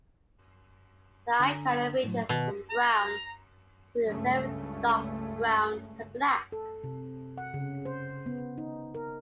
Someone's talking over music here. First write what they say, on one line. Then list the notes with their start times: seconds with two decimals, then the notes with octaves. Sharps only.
The eye colour ranges from brown through very dark brown to black.
1.40 D3 G#5 A#5
2.04 A2 F#3
2.29 B2 D#3
2.70 A#5
4.04 C#2 G2 C#3 A3
6.52 A4
6.84 C3
7.38 F#5
7.54 C#3
7.85 C5
8.26 B3
8.58 D#4
8.95 A#4